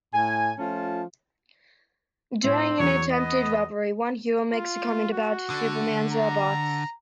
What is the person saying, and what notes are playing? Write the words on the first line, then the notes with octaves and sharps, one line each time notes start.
During an attempted robbery, one hero makes a comment about "Superman's robots".
A2 G#5
F3 A3 C#4 F4 A5
A2 C4
E2 F#3 C#5
B3 D#5
F4
F#4
D3
A#5